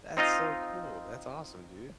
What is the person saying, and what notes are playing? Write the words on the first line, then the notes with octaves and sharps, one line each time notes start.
That's so cool. That's awesome, dude.
C4 D#4 F4 D#5 F5